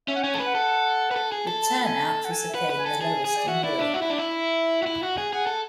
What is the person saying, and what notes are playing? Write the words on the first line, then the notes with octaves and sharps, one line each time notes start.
The turnout was again the lowest in Europe.
C#4 E5
F#5
C#4 G#5
A4
B4
F#5
A4
B4
A4
G#4
A4
A5
G#5
A5
F#5
G#5
E5
B4 F#5
B4
G#5
A4
G#4 A5
G#4 G#5
D5
F#4 E5
E4 D5
D4 E5
F#4 E5
E4
D4
E4 E5
F#4
E4
F#4
G#4
G#4 F#5
A4